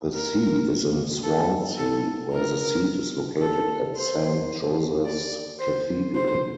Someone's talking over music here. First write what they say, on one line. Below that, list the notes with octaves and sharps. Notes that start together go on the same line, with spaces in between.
The see is in Swansea, where the seat is located at Saint Joseph's Cathedral.
A#4
A4
A4
A#4
A4
C5
D5
C5
C5